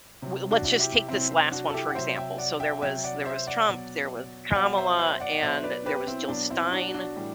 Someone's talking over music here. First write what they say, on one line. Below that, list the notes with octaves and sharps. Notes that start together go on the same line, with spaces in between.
w let's just take this last one for example. So, there was there was Trump, there was Kamala, and there was Jill Stein.
C3 F#3
D4 F#4
E4
F#4
E4 G4
C3 F#3 C4 E4
C4
D4 F#4
A4
E4 G4
F#5
C3 F#3 C5 E5
E5 G5
D5 F#5
E5 G5
C3 F#3 E5 G5
D5 F#5
C5 E5
D5 F#5
B2 F#3
B2 F#3 D5 F#5
C5 E5
C5 E5
D5 F#5
F#5
B2 F#3 C5 E5
B4 D5
G4 B4
C4 E4
B2 F#3 B3 D4
C4 E4
D4 F#4
D4 F#4
A2 E3 G3